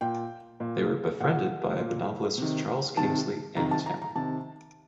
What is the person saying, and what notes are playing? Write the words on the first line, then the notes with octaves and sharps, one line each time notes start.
They were befriended by the novelist Charles Kingsley and his family.
A#2 G5
A#2
A#2 F#5
A#2
C3 D#3
C3 D#3 A5
C3 D#3 A#5
A5
A#5
A#5
C3 D#3 A5